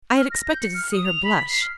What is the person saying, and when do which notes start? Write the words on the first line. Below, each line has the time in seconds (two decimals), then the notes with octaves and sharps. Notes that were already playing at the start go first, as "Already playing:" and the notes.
I had expected to see her blush.
0.17 F6
0.32 A#6
0.48 G6
0.61 C#7
0.74 F6
0.92 D#6
1.05 F7
1.24 B5
1.37 B6
1.49 C7
1.62 F6